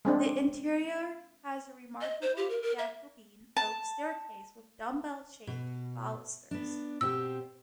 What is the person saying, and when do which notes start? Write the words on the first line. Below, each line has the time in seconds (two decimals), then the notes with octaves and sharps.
The interior has a remarkable Jacobean oak staircase with dumbbell-shaped balusters.
0.05 G#3 C4 D4
2.01 D#5
2.22 C5
2.37 G4
2.50 A#4
2.62 A#4
2.79 E5
3.56 A5
5.47 B2
6.51 B3 D4
7.01 B2 C4 G4 E6